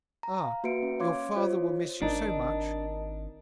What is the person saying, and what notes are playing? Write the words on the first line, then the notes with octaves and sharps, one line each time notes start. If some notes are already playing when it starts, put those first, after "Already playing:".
'Ah,--your father will miss you so much!
A#5
F5
A#3 F#4 B4 E5 C#7 D7
C#4
C#5 F5 C6 D6 G#6
F4 C5 C#5 D#5
G#1 D4 D#4 A#4 D#5 A5